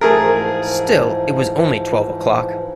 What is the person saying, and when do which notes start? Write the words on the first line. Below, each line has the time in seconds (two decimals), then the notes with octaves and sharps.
Still it was only twelve o’clock.
0.01 G#2 E3 F3 A3 G#4 A#4